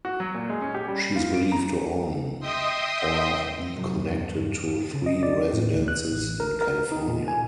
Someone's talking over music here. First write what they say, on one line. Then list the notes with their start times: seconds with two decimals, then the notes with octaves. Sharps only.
She is believed to own or be connected to three residences in California.
0.05 F#4
0.20 F#3
0.35 A#2
0.49 G#3
0.61 C#4
0.74 G4
0.88 G3
1.16 F4
1.34 D7
1.52 A#5
2.40 D#5 E5 G5 C6 D#6
3.74 F#2 C3
4.15 E2 G2
4.93 C#3
5.06 D#5
5.23 D5
5.53 A2
5.73 D2
5.88 F#6
6.12 A1
6.40 A#4
6.61 A#4
6.92 D#4
7.08 A#2
7.28 G#5